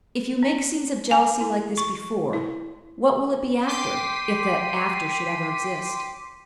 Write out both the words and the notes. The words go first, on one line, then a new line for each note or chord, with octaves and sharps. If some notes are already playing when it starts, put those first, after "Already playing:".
If you make scenes of jealousy like this before, what will it be after, if that after should ever exist?
C#4
G#5
E4
C#6
E4
G5 C6 D6 B6 C7 D#7